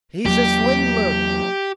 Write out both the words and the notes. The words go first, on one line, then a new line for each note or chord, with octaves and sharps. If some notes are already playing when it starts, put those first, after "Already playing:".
"He's a swindler!"
E2 F#3 A#3 G4